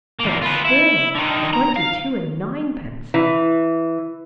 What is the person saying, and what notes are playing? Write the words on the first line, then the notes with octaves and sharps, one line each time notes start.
'But, still--twenty-two and ninepence!
E2 A#3
F4 B4
E4
D3 D#3
A#5
F5
E3